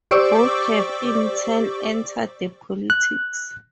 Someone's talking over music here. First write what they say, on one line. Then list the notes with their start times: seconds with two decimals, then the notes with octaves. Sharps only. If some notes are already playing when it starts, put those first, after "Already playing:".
Both have in turn entered the politics.
0.11 G4 C5 D5 C#6 D6 E6
2.90 F#6